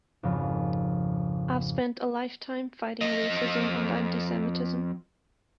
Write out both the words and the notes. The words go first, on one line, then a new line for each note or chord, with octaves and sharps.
I've spent a lifetime fighting racism and anti-Semitism.
G#1 F2 C#3
F2 D#5